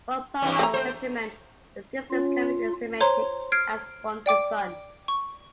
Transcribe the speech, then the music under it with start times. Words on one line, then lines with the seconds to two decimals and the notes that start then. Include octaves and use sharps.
From parallax measurements, its distance can be estimated as from the Sun.
0.42 G2 E3 C#4
0.59 A3 A#5
0.74 C4 C5
2.10 C#4 F4
3.01 C5 C#5 A#5 C6
3.52 F6 G#6 C7 D7
4.26 D5 G5 D6 D7
5.08 C#6